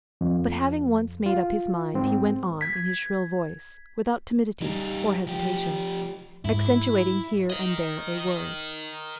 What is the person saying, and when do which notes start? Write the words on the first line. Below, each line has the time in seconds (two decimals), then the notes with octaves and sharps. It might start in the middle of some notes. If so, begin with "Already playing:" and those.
But having once made up his mind he went on in his shrill voice, without timidity--or hesitation, accentuating here and there a word.
0.21 F2
1.26 F4
1.94 G#2 C4
2.61 G#6 B6
4.61 G3 D#4
5.27 F3 G4
6.45 G#2 E4
7.50 A#4 D#5